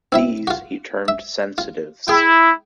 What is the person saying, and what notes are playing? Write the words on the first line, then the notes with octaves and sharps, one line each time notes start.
These he termed "sensitives".
C4 E4 E5
F4 F#4
E5
F4
E4 G#4 G5